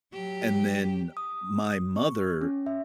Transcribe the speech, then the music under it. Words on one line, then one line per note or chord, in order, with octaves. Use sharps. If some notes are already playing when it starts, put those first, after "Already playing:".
And then my mother
F#3 G4
D#6
C#6
C#4
E5